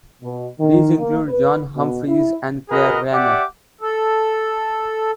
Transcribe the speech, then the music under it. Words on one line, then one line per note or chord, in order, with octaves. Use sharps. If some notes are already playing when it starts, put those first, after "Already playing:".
These include John Humphrys and Claire Rayner.
B2
D#3
A#3
B4
B2
E4
F#4 G#4 A#4 B4 D#5
G4 D5 E5 F#5 D6
A4